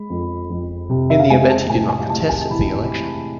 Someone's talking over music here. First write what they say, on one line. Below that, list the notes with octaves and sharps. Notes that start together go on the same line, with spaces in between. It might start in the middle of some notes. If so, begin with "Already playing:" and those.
In the event he did not contest the election.
Already playing: G#3 B5
F2
F2
C3
E5
F5
G#3 G#5
A5
A2 G#5
G#5
A2 A5
G#5
E3 B5